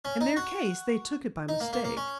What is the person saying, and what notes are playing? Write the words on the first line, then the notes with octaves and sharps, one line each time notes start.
In their case they took it by mistake.
C#4
D#4
F#4
D#4
A#3
A#3
A#3
C#4